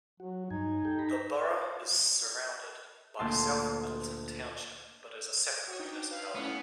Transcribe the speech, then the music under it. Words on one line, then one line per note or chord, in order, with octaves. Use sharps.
The borough is surrounded by South Middleton Township but is a separate municipality.
F#3 F#4
G2 D#4 G#5
G4 A4 G5
A#5 B5
C#5
D2 A#2 A5 C6
F#4 C#5 D#6
D4 D#4 G5
B4 F5
A3 B3 C#4 E4
D#6